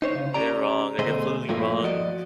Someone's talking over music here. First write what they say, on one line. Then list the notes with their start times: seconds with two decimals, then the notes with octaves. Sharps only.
They're wrong, they're completely wrong,
0.02 D#4 C5 C#5
0.15 C#3
0.34 C#4 G4 D5 A#5
0.99 D2 B2 A3 G#4 C5 D#5
1.49 G2 A#2 F3 A3 A#3 E4
1.84 F3 F#4 D5 D#5